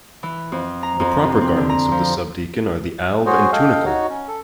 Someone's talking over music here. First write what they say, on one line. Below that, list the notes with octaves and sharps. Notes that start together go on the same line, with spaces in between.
The proper garments of the subdeacon are the alb and tunicle.
E3
F2
A#5
F2
C3
C4
D3
A#5
F3
F#4 G#4 C5 C#5
A4 D#5 F5 G5
D#4 F#4 C#5
C#4
A4